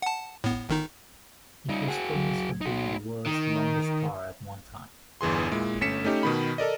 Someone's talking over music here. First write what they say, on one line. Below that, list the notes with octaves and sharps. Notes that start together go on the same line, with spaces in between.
It was famous for being the world's longest bar at one time.
F#5 A5
A2 B3
G1 D#3 D#4
G3 D#4 F4 G#5 C#7
F#4 G#4 C5 F#5 F6
C#2 F#3
D#4 F#4
D#3
G1 E2 E3 G#4 C6
A#2 G#3 E4
G1 A3 C#4 B6 C#7 E7
A3 C#4 D#4 G4
B2 D#3 B5
A4 A#4 D5 D#5